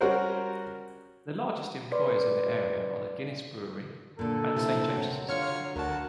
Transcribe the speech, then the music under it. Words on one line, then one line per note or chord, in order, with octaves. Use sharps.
The largest employers in the area are the Guinness Brewery and Saint James's Hospital.
G3 C#4 F#4 A#4 C5
B4 D5 C6
A#2 D3 A4
C3 E4
F#3
D3 F4 C#5 F6 C#7
D2 F#4 A#4 A5